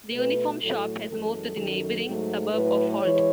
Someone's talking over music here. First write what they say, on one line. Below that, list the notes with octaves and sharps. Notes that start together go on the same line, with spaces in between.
The Uniform Shop has moved to the neighbouring suburb of Holt.
B2 A3 B4
A2 F#3 A3 A4
F#2 E3 G#3 A4
F#2 D#3 F#3
G#2 F#3 A3
A2 F#3 A3 B4
E3 G#3 C#5